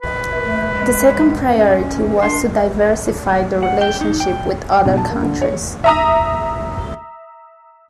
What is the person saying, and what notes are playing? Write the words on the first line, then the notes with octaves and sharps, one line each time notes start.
The second priority was to diversify the relationship with other countries.
B4
A3
G#3
C#4
D4 C6
F#5
G5
D#4
G5
B1
A5
A#3
D3
C#5
E5 A#5 D#6